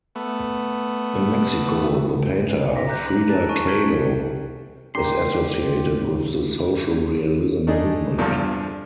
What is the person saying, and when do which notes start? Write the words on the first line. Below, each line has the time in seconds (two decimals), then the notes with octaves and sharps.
In Mexico the painter Frida Kahlo is associated with the social realism movement.
0.15 A3 B3
2.76 A#6 B6
2.87 A#5 D6 F#6 G6
3.08 F#7
3.29 A5 A#5 F#6 A6
3.49 G#5 C#6 D#7
3.67 F6 G6 G#6 B6 F#7 G7
4.95 D4 G4 A#4 C6
7.67 A3 D4 D#4 G#4
8.18 E2 G2 D3 F3